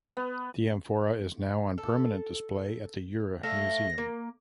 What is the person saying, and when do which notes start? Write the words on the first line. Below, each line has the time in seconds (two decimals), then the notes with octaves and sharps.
The amphora is now on permanent display at the Ure Museum.
0.17 B3
1.78 A4
3.43 A3 E5 F5 A#6
3.98 A#3